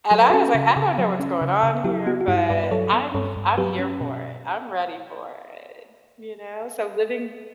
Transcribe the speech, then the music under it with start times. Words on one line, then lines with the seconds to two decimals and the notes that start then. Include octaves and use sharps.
And I was like, "I don't know what's going on here, but I'm f I'm here for it, I'm ready for it," you know? So, living
0.11 F#3 A4
0.21 B4
0.30 C#4 F#4 A4
0.55 C#3
0.76 C#3
0.98 F#3
1.20 C#4
1.41 C#3
1.63 C#3
1.84 F#3 E4 G4
2.06 B3 F#4
2.21 F#4
2.28 G2 E4 G4
2.50 G2 B4 D5
2.64 B4
2.71 F#3 A4 C#5
2.93 B3
3.14 G2 A4 C#5
3.36 G2
3.58 F#3 G4 B4
3.79 C#4
4.01 B2